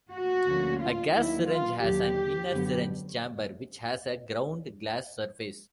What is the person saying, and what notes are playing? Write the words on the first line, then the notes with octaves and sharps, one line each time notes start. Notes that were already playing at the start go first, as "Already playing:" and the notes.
A gas syringe has an inner syringe chamber which has a ground glass surface.
F#4
D2 D3 F3 A#3 C#4
F4
D#2 D#3 F#3 E4
F4
D#2 D3 F#3 G4
F#2 D3 F#3 B3